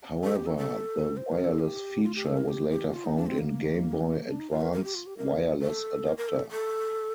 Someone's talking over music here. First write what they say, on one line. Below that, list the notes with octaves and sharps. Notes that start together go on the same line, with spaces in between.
However, the wireless feature was later found in Game Boy Advance Wireless Adapter.
A4
G4
A4
A4
C5
A#4
A4
G4
F4
G4
A4
A#4
G4
G4
F4
D#4
D4
C4
A#3
D4
D#4
F4
A#4
A#4
G4
F4
G4
A#4
A4
A#4
A#4
A4
A4